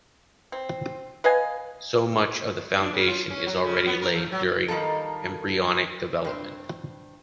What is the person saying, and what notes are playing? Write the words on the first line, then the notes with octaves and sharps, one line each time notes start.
So much of the foundation is already laid during embryonic development.
C4
B4 D#5 F5 G#5
D4
C#3
F4
C#4
F#3
C#3
B3
A#4
E3
F#3
D#3 G3 A#3 D#4 A4
G2 C4